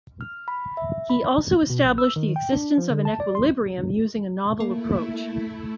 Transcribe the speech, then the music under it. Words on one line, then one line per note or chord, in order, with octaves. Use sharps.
He also established the existence of an equilibrium using a novel approach.
F6
B5
E5
B5
B2
A#1
E6
D#3
G5
D4
F3
D3
A5
D5
C6
A3 A#3 E4